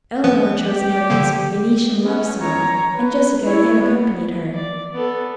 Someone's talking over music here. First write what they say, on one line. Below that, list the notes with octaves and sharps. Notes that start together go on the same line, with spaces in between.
Eleanor chose Nevin's "Venetian Love Song," and Jessica again accompanied her.
F3 B3 B4
G4
D3 F3 A#3
B3 C#4
C#5 A#5
B4
E4 C#5
B3
D5
B3 A4